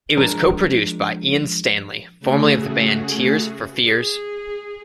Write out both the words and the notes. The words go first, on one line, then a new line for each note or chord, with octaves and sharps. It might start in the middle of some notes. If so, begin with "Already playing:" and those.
It was co-produced by Ian Stanley, formerly of the band Tears For Fears.
F3 G#3 D4 A#4
C#3 A3 F#4 G#4
G#4